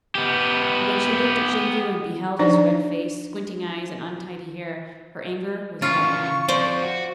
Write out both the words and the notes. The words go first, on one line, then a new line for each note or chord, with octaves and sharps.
But when she looked at Jegu and beheld his red face, squinting eyes, and untidy hair, her anger was doubled.
B3 G4
F3 D4 D#4 C5 D5
C#3 E3 F4 C#6
F3 C4 C5 D5
F#4